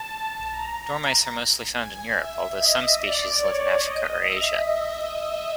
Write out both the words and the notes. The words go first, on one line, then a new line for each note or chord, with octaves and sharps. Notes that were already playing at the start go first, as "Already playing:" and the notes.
Dormice are mostly found in Europe, although some species live in Africa or Asia.
Already playing: A5
A#5
G#5
E5
D#5
D5
C#5
D#5
E5